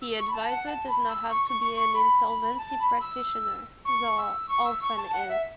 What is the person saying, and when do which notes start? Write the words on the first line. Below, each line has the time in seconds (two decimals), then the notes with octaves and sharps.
The adviser does not have to be an insolvency practitioner, though often is.
0.01 E6
0.18 C#6
0.28 B5
0.33 A5
0.50 F#5
0.66 A5
0.87 B5
1.08 E6
1.29 C#6
1.46 C#6
1.61 C#6
1.77 C#6
1.93 B5
2.58 A5
2.79 B5
3.00 E6
3.85 C#6
4.18 E6
4.48 C#6
4.64 E6
4.81 C#6
4.97 A5
5.12 F#5
5.28 E5